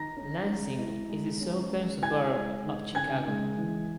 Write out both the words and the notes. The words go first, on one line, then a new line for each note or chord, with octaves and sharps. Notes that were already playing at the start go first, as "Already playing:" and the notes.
Lansing is a southern suburb of Chicago.
Already playing: D#3 A#5 A#6
C#4
G#3
E4
G#3
C#4
G#3
E4 G#5 G#6
G#3
D#3
C#3 G#5 G#6
G#3
E3